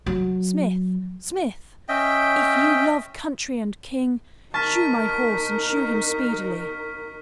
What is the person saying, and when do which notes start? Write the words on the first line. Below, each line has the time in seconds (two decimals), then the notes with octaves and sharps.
"Smith, smith, if you love country and king, shoe my horse, and shoe him speedily."
0.06 F#3
1.89 C#4 D#5 E5 G5
4.54 D#4 A#4 A5 C#6 F6 B6